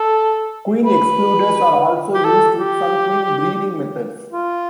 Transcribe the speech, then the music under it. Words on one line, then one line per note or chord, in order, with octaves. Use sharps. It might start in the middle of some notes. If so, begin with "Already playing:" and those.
Queen excluders are also used with some queen breeding methods.
Already playing: A4
B4
G4
A4
G4
F4